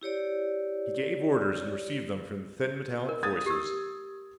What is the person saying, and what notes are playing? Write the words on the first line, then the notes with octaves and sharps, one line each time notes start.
He gave orders and received them from the thin metallic voices.
E4 G4 C#5 D5
A#4
D#6 G#6 A6
G4 E6